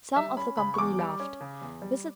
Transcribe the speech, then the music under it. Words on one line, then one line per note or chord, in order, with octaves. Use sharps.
Some of the company laughed--Mrs.
G3 E5
C#4 B5
C#3 B5
C#6
E2 D6
G3
C#4
C#3
E2
G3